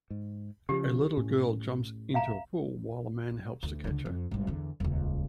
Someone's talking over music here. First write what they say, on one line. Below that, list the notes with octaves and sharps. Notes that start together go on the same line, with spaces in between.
A little girl jumps into a pool while a man helps to catch her.
G#2
C#3 F3 G4
A2 C#4
E5 F5 A#5
D2
C#2 D3
F2
G#1 G2
E2 D3
D#1 C#2